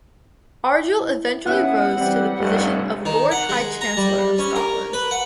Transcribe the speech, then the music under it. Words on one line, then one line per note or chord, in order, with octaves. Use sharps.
Argyll eventually rose to the position of Lord High Chancellor of Scotland.
E4
B3 C#4 E4 G#4 F#5
E3 G3 C4
F1 G2 G3
D#3
F#5
G#3
A#5
G3
C#4
A#4
B4
F#5